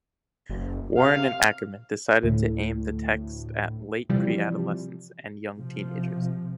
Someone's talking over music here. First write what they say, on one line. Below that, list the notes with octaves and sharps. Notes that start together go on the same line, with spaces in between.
Warren and Ackerman decided to aim the text at late pre-adolescents and young teenagers.
F#1
C3 F5
D2 A2
C3 E3 F3 G3
C3 F3